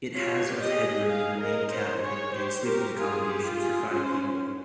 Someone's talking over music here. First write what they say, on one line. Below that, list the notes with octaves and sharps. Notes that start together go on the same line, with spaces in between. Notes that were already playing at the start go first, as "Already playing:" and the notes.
It has of headroom in the main cabin and sleeping accommodation for five people.
F4 C#5
G4
D#5
G#4
G#4 F5
A#4 D#5
C5 C#5
G#4 C#5
G4 C5
G4 A#4
F4 G#4
G4
F4
G#4
C#4 C5